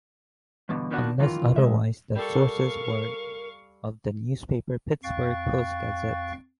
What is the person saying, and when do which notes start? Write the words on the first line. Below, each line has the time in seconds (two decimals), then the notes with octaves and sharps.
Unless otherwise, the sources were of the newspaper "Pittsburgh Post-Gazette".
0.69 E2 G2 B2 D3
0.91 A#2 D#3 B3 D4 F#4
1.19 F#2 D#3 E3 A#3 F4
1.56 D2 G#3 E5
2.16 G3 A4 A#4 F5 C#6
5.04 F2 F5 G5 C#6 F#6 A6